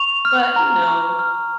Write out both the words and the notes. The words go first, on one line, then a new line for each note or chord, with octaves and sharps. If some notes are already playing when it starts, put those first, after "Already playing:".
but you know,
Already playing: C#6 F7
F6
A#5
C#6
F6